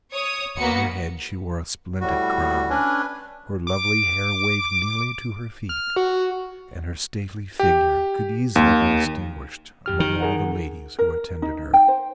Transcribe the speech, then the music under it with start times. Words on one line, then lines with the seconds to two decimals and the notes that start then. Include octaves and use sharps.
Upon her head she wore a splendid crown, her lovely hair waved nearly to her feet, and her stately figure could easily be distinguished among all the ladies who attended her.
0.12 C#5 D#6
0.56 A#3 B3 F#4 C#7
2.01 A2 G3 F#4
2.70 C#4 D4 B4 G#5
3.67 D6
5.69 F6
5.96 F#4
7.60 G4
8.56 D#2
9.86 F#2 G4 F6
10.00 D#3
10.21 G#4 A#4 F#5
10.99 A#4
11.42 D#4
11.74 G5
11.88 C5